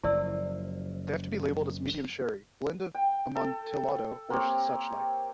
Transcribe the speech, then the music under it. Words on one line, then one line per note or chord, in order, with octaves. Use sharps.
They have to be labelled as Medium Sherry: blend of Amontillado or suchlike.
F#1 F3 E4 D5 E6
G5
A4
A#3 C4 G4 C#5